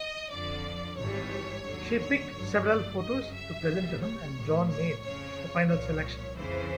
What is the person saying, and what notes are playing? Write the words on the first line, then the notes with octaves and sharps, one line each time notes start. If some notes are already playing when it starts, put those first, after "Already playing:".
She picked several photos to present to him, and John made the final selection.
Already playing: D#5
F2 D3 F3 D5
G#1 G2 E3 G3 C#5
D#2 D3 F#3
C#5
G#1 G2 D3 F#3
D5
F#2 C#3 F#3 D#5
E5
C2 A#2 G3
C#5
A1 A2 F3
C#5
F2 C#3 F3 C#5
C2 A#2 F3 C#5
F2 C#3 E3 C5